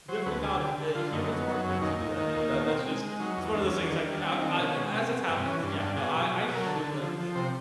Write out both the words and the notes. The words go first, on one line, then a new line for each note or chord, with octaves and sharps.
Definitely not uh, humans aren't meant to do that, you know? That that's just it's one of those things I can I m I a as it's happening s Yeah, no, I I should like
F#3 C5
D2 B4
D3 G#4
D3 G4
D3
D3 F4
F#2 D#4
B3
F#3
F#2
D#2 D#4
D#2
D#3
A#3
B2
C4
G#3
G#3
F#3 D#4
E2
E2 D4
E2 C#4
D4
D#3
G3
C4 E4
D#3 D#4
D4
B2 C#4
G#3
B2 C4
B2
G2 C4
E3 C#4
G2 D4
G2 D4
B2 G#4
F#3
B2
F#3
A#4
D3 A4
D3
F3
F3
C3 C5